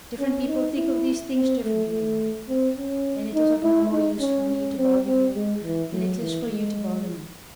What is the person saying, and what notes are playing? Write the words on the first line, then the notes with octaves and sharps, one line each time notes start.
Different people think of these things differently, you know, and it is of no more use for me to bother you than it is for you to bother me.
C#4
D#4
E4
C4
A3
A3
C4
C#4
D#4
E4
D#4
C#4
C#4
C4
C4
G#3
E3
F#3
E3
G#3